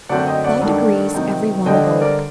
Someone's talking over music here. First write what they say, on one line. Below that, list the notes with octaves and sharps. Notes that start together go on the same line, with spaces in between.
By degrees every one awoke.
F#2 D3 F#3 A3 C4 D5 F#5
D#5 G5
D5 F#5
G2 D#3 A3 D4
C3 D#3 F#3 C4 D#4
D3 G3 D4 D#5 G5
C5 D#5
A#4 D5